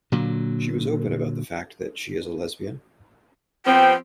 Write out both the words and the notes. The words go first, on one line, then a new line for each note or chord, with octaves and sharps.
She was open about the fact that she is a lesbian.
A#2 D3 F#3
F3 B3 C4 G5